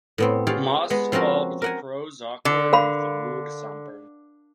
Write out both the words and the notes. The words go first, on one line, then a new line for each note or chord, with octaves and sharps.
Moss called the prose awkward and the mood sombre.
A2 B3 C4
F4 G4 G#4 C#5 D5 F5
G#3 B3
F3 C4 C#4 F#4 A#4
A#4 F#5 G#5
D3
A#4 F5 B5